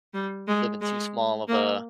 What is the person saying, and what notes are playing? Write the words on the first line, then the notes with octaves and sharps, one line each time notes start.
you live in too small of a
G3
G#3
G#3
A#3